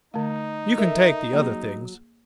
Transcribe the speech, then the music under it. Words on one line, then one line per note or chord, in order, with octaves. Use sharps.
"You can take the other things."
D3 A3 D#4
A4 A#4 E5
F#3 A#3 G#4